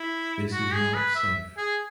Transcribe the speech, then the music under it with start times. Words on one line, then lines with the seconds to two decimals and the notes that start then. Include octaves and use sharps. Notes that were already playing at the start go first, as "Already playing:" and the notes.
This is not safe.
Already playing: E4
0.52 F#4
0.74 G#4
0.94 B4
1.15 E5
1.57 G#4